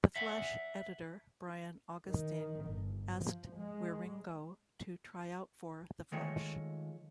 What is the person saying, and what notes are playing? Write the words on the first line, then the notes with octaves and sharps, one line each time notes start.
"The Flash" editor Brian Augustyn asked Wieringo to try out for "The Flash".
E5 F#5
D#3
G1
F3
G#3
D#3 F3 G#3 A3 C#5